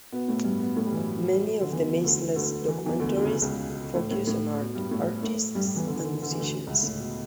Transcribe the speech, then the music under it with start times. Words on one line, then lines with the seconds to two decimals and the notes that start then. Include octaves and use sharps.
Many of the Maysles' documentaries focus on art, artists and musicians.
0.12 B2 B3
0.28 A2 A3
0.44 G2 G3
0.60 B2 B3
0.76 A2 A3
0.86 G2 G3
0.92 E3
0.97 F#2 F#3
1.61 D3
1.72 E2 E3
2.04 D2 D3
2.36 D2 D3
2.68 E3
2.77 F#3
2.86 E2 E3
2.99 D2 D3
3.15 D3
3.25 C#3
3.33 B2
3.42 C#2 C#3
3.95 A2
4.11 A2
4.27 A2
4.59 B2
4.75 G2 G3
4.91 A2 A3
5.23 A2 A3
5.55 G2 G3
5.65 G2 G3
5.76 E2 E3
5.87 D3
5.96 E3
6.05 D3
6.13 E3
6.22 D3
6.31 E3
6.40 D2 D3
6.66 C#2 C#3
6.83 A2
6.98 B2